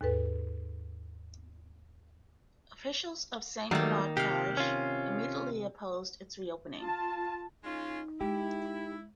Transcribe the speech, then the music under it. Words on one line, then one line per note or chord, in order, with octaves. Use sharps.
Officials of Saint Bernard Parish immediately opposed its reopening.
D#2 G#2 A4 B4
D#3 F#3 G3 A3 A#3
C3 G4 F5
C#4 F4
F4 A5
G#3 C#4 D#4 F4
G#3 E4 G4